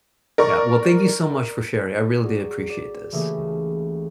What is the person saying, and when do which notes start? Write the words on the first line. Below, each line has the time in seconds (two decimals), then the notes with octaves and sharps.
Yeah. Well, thank you so much for sharing, I really do appreciate this.
0.38 A#4 D5 C#6
2.21 F#4 G#4 D5 A#5
2.70 D5
3.12 C#3 E3 A3 A#3 G4 G#4
3.37 C#2